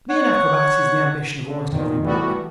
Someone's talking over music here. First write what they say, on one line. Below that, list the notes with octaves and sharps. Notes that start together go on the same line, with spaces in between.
To be an acrobat is the ambition of almost every boy.
C#5 F#5
D3
F2 A#2 D#3
E3 G3 A3 B3 F#4